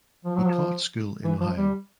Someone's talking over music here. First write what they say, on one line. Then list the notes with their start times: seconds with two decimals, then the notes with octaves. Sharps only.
He taught school in Ohio.
0.25 F3
0.36 F#3
0.45 F3
1.24 E3
1.40 F3
1.57 G3